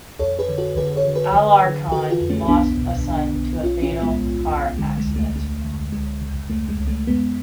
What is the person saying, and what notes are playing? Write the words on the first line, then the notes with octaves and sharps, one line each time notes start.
Alarcon lost a son to a fatal car accident.
F2 A4 C#5
G#4 B4
D3
F#4 A4
D3 G#4 B4
A4 C#5
D3
G#4 B4
D3
D3
D3 F#4 A4
F4 G#4
F2
A3 C#4
B1 B3 D4
B2
B1
B1
B1 C#4 F4
C#4 F4
A2
G#3 B3
B1
B1
D3 G#3
G#3
D2
A3
D2 A3
D3
C#2 G#3
C#3
C#2 A3
G#3
C#2
A3
F2 G#3 B3